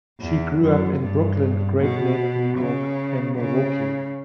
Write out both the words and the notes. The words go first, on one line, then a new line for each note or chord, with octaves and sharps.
She grew up in Brooklyn, Great Neck, New York, and Milwaukee.
E2
F#2
G2
B2
C#3
C#3